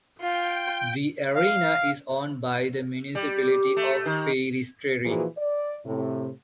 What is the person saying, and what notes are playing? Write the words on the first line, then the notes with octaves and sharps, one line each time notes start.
The arena is owned by the municipality of Peristeri.
F4 G5
F5
G3
A3
D#3
A#2 E3 F3 F#4 G#4 B4
D5
A2 C3